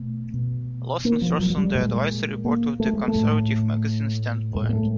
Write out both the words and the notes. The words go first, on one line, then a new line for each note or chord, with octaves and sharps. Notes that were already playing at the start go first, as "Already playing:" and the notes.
Lawson serves on the advisory board of the Conservative magazine "Standpoint".
Already playing: B2 A3
B2
A#3
F3
F#3
F#3
G3
A#2 G#3
A#3
A3
G#3
A3
A2
A2 G#3
A#3
A3